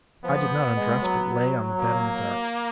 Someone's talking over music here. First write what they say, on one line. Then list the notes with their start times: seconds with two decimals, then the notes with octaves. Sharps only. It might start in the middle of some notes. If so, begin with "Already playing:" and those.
I did not undress, but lay on the bed in the dark.
0.24 F3 B3
0.76 G#3
1.02 F#3
1.79 A#3